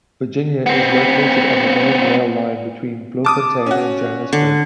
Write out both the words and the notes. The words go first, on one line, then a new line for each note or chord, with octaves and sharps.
Virginia is located on the main rail line between Bloemfontein and Johannesburg.
B3 C4
A5 D6 D#6
C#4 F#4
D3